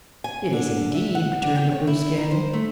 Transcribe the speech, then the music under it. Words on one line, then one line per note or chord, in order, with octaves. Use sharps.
"It is, indeed," returned the Blueskin.
G#5
D3
E5
F#5
D4
G5
C#5
E4
D#3
C5
A3